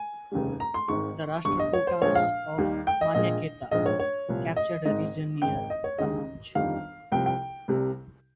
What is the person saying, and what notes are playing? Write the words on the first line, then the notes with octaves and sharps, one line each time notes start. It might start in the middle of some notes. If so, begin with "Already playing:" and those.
The Rashtrakutas of Manyakheta captured a region near Kannauj.
Already playing: G#5
F1 D#2 C#3 G3
A#5
C6
G#1 G#2 D#3 G#3 C#6
G1 G2 G3 C#6
D#5
C#5
C5
A#1 A#2 F3 G#3 C#5
F5
D#2 D#3 G3
G5
D#5
A#1 A#2 G#3 D#5
A#1 G#2 F3 G#3 D#5
C#5
C#5
C2 A#2 F3
D#5
G#1 G#2 D#3 D#5
G#1 G#2 D#3 G#3 G5
D#5
C#5
D#2 D#3 G#3 D#5
G1 F2 D#3 G3 F5
C2 C3 F3 G5
G5
C2 C3 G3